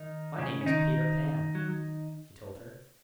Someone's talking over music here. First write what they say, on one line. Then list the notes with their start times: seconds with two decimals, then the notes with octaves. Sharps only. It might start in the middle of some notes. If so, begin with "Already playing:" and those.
"My name is Peter Pan," he told her.
Already playing: D#3 D#4
0.38 C#3 C#4
0.61 C#4
0.66 D#3 D#4
1.55 F#3